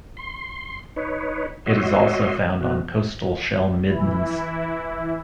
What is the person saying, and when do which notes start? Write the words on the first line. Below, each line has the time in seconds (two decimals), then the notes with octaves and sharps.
It is also found on coastal shell middens.
0.17 C6
0.96 D#4 B4 C#5
1.66 F#4 C#5 D#5 E5 C6
2.61 B2 C4 F#4
3.88 E3 E4